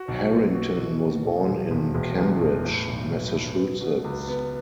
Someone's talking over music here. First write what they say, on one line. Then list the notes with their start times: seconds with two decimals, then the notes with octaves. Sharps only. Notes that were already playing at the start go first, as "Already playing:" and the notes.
Harrington was born in Cambridge, Massachusetts.
Already playing: F#4
0.08 B1
0.32 B3
0.55 F#4
0.78 B2
1.01 B2
1.25 E1
1.48 E1
1.71 E1
1.95 E1
2.18 E2
2.41 E1
2.65 A2
2.88 B1
3.11 B1
3.35 B1
3.58 B3
3.81 B2
4.04 C#2
4.28 B3